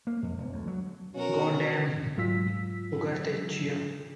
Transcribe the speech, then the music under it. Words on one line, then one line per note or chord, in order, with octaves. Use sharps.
God damn Ugartechea.
A#3
F2
E1
D2
F#3
B2 C#4 F#4 A#4
G#2 F#3 F4 E6 B6